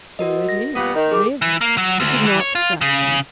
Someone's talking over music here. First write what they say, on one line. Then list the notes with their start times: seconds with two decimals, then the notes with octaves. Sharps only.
'So it is, really; it did not strike me.
0.19 F#4 A#4 D#5
0.49 A#6
0.75 A#2 G3 B3
0.94 D#3
1.12 G#4 D6
1.42 E3
1.61 A#3
1.78 F#3
2.00 D2
2.26 E3
2.40 C#5
2.55 F4
2.81 C#3